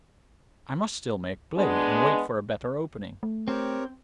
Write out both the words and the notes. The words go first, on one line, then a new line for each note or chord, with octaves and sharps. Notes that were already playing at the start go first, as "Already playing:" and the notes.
I must still make play and wait for a better opening.
G#3 B3 D4
A3
C4 G4 A#4 C#5